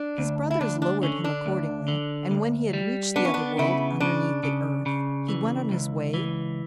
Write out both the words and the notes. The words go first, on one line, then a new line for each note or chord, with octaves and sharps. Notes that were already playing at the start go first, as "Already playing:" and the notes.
His brothers lowered him accordingly, and when he had reached the other world, underneath the earth, he went on his way.
Already playing: D4
D2
E4
D2 D4
D4
D3 C#4
D4
D2
D3
D2
G3
B3 D4
C#4
D4
C#3 E4
C#3 D4
C#3
C#3
E3
C#2
E3